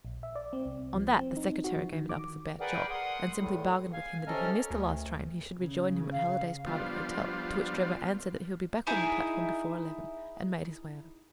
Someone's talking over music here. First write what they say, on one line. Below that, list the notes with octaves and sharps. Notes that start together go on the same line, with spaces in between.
On that the Secretary gave it up as a bad job, and simply bargained with him that if he missed the last train he should rejoin him at Halliday's Private Hotel; to which Drebber answered that he would be back on the platform before eleven, and made his way out of the station.
A#1
E5
D5
C4
C2
F3
C4
D#4
F#4
F3
D#3
D6
G#4 A#4 B4 D5 F#5 G5
F#5 C6 D#6
E2 A2
F5 G#5
C3 C#4 A4 A#4 D#5 F6
D2
C#3
F5
F3 G3 B3 D4 F4
D#4 E4 G#4